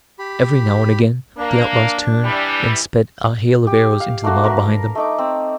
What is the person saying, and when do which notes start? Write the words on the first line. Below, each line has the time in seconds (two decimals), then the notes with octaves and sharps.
Every now and again the outlaws turned and sped a hail of arrows into the mob behind them.
0.19 G4 B5
1.37 A#3 D4
2.24 E3 G3
3.67 G4
4.00 F5
4.23 A3 A#3 D4 F#4
4.44 A#4 B4 F5
4.95 A3 D#4 D6
5.18 C4